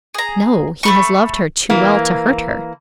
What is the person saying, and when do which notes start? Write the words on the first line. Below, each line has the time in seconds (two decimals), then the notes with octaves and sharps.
'No, he has loved her too well to hurt her.'
0.14 G#4 A#5
0.83 A3 B5 C#6
1.70 E3 A#3